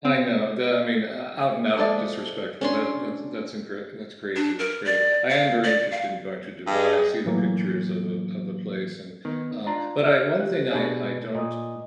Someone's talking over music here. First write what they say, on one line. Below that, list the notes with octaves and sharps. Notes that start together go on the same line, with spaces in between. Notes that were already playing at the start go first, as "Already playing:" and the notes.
I know, the I mean, ou out and out disrespectful, that that's in that's incorrect, that's crazy, it's crazy I am very interested in going to Dubai, I see the pictures of of of the place, and, uh but I one thing I I don't
C4
F3 G#3 A4 D5 E5
C#4 D4 C6
D4
A#4
D5
F5
D5
F5
G2 G#4 D#5
A2 E3 F#3 A#3
D#3 B3
D4 F4 A#5
E5 F6 F#6
G4 F#6
B2 D4 G#4
A#2 D#5 D#6